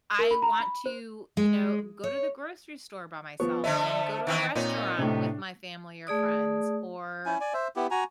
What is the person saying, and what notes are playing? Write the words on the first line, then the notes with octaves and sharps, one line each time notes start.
I want to, you know, go to the grocery store by myself, and go to a restaurant with my family or friends, or
A#4
B5
A#5
B5
C5
G#3
C#5
F3 B3 C#6
D3 A3 B3 C5 D#5 E5
D#3 E3 C4
A#2 B3 C4 D#4 C#5
A2 C3 D4
A3 G#4 D5 D#6
C#4 E4 G#5
D5 G#5
C5 E5
B3 E4 G4
F#4 G#5 A#5